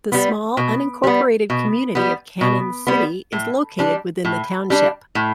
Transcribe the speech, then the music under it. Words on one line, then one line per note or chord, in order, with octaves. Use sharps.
The small, unincorporated community of Cannon City is located within the township.
G3 B3
B2
G3 B3
B2
G3 B3
B2
G3 B3
A2
G3 D4
A2
G3 D4
A2